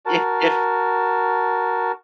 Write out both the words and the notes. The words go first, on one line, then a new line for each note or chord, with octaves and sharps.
if if
F#4 A#4 A5